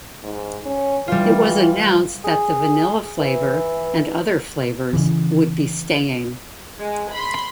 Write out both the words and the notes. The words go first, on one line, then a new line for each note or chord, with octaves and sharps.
It was announced that the Vanilla flavor and other flavours would be staying.
G#2
C#4
E3 G3 F4
G#4
E3
C#3 E3
G#3
B5 C6